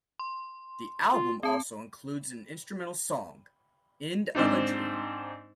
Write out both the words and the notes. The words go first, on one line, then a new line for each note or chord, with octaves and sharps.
The album also includes an instrumental song, "End Of A Dream".
C6
F4
C4 G#4 A5
G#2 C4 D4 D#4